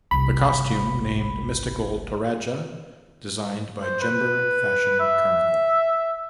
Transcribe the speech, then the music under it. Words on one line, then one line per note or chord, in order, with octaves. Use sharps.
The costume named ""Mystical Toraja"" designed by Jember Fashion Carnival.
G1 C2 B5
C5
B4
E5